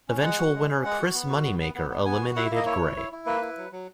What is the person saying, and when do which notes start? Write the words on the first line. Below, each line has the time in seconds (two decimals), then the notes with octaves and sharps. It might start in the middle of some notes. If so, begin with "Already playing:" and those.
Eventual winner Chris Moneymaker eliminated Grey.
0.09 C#4
0.23 G#3 F#5
0.38 F#4
0.55 G#3
0.69 C#4
0.84 G#3 F#5
0.99 F#4
1.14 B3
1.29 F#4
1.44 B3
1.60 B3
1.75 B3
1.90 B3
2.05 B3 G#5
2.21 F#4
2.36 E4 F#5
2.46 E5
2.50 A#3
2.56 D#5
2.66 E4 C#5
2.82 E4
2.96 E4
3.12 E4
3.26 A#3 B4
3.42 E4
3.57 F#3
3.72 F#3